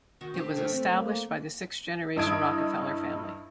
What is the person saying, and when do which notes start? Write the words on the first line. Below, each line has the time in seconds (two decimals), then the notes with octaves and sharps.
It was established by the six-generation Rockefeller family.
0.21 D#3 F#4
0.34 C4 D4 G4
0.56 F3 A3 C4
0.72 A3 C4
0.92 A#3
2.16 G2 D#4 E4 D#6 G#6 D7